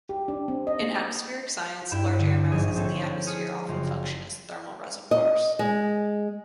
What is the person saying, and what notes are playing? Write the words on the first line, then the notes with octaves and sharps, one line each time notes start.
In atmospheric science, large air masses in the atmosphere often function as thermal reservoirs.
G4
D4
C4
D#5
A#3
G2 E4 G5 B5 G6 E7
D3 D4
A#1 G#2 F3 G#4
C4 A4 C#5
G#4 F6 C#7
F#1 F4
D#5
G#3